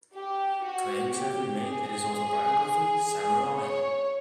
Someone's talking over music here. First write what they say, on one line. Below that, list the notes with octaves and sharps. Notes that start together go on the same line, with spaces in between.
Claims have been made that his autobiography Samurai!
G4
F#4
G4
G#4
G#4
C#5